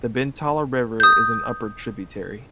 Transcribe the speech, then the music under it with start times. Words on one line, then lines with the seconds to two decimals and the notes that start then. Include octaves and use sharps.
The Bentala River is an upper tributary.
1.00 D#6 G6